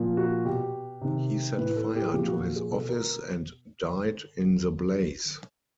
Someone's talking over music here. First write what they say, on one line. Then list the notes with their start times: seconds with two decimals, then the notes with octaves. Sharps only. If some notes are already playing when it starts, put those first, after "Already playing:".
He set fire to his office and died in the blaze.
Already playing: A#2 F3
0.17 F#4
0.45 B2 G4
1.02 C3 D#3
1.58 A2 E3 B4
1.76 A4
1.95 G4
2.08 G#4
2.14 A#2 F3 G4
2.28 F#4
2.56 G#4
2.70 B2 A4
2.89 A#4